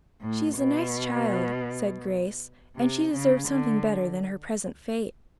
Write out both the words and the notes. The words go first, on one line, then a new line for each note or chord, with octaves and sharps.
"She is a nice child," said Grace, "and she deserves something better than her present fate."
A2
B2
C3
C#3
D3